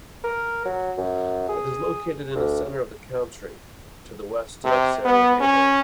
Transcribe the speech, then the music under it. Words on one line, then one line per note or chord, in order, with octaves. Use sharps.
It is located in the center of the country, to the west of Sarajevo.
A#4
F#3
F#2
G#4
D2
C3
B3
C#4